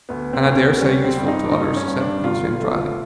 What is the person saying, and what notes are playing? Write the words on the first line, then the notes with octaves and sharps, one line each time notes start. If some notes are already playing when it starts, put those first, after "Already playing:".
"And I daresay useful to others," said Lucian drily.
D2 B3
C4
D2
B3
G3 C#4
C4
G2
D#4
D4
G2 D#4
C#4
G2
D4
G1 F4
F4
A3
F4